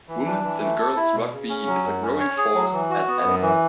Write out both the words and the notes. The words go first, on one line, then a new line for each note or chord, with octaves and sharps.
Woman's and girls rugby is a growing force at Abbey.
E3
D4
E3
A3
A4
E4
B2
C#3
C#4
F#3
F#2
C#4
C#5
G#4
F#3
E3
F#4
B3
F#2
E3